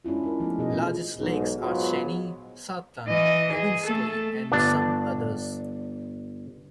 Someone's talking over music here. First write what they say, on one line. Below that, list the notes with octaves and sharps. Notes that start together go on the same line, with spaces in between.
Largest lakes are Chany, Sartlan, Ubinskoye, and some others.
G#3 C#4 D4 E4 F4
D#4 A#4
F3 A3 B3 D#4
B2 G#4 D#5
D3 D#4 F4 A4 C5
B1 G#2
G#2 F#3 B3 F4
E3 D#5
G#4
A3 A4
G1 D4